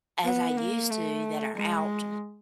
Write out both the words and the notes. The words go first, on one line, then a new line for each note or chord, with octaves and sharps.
as I used to that are out
B3
A#3
A3
G#3